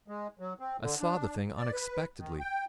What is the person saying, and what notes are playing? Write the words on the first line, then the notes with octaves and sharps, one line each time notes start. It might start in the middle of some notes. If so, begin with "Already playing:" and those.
I saw the thing unexpectedly.
G#3
F#3
C4
D3
D4
D5
B4
D#3
G5